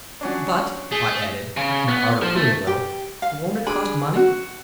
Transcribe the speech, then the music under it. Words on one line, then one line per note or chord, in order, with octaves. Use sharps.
"But," I added, my ardor cooling a little, "won't it cost money?"
F#3 C#4 D4
A3 G#4
C#3
B3
F3
A3
G4
F5
D4 G#4 B5
F#4